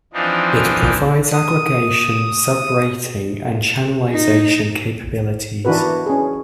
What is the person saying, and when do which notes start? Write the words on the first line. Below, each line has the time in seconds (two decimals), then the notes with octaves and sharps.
It provides aggregation, sub-rating and channelization capabilities.
0.13 E3 F3 C4 D4 D#4
1.32 D#6
4.12 D#4
5.65 E3 D4 E4 F#4 A#4 B4
6.06 C#4 G#4